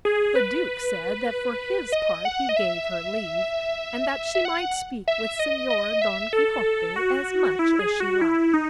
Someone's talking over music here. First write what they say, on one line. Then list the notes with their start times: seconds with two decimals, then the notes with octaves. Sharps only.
The duke said that for his part he gave her leave, and that she might speak with Senor Don Quixote as much as she liked.
0.05 G#4
0.35 B4
1.92 D#5
2.25 F#5
2.49 D#5
2.57 E5
4.35 E5
4.45 F#5
5.08 E5
5.39 D#5
5.70 D#5
6.02 E5
6.33 A4
6.96 F#4
7.59 E4
7.79 G#4
8.00 F#4
8.21 E4
8.54 D#4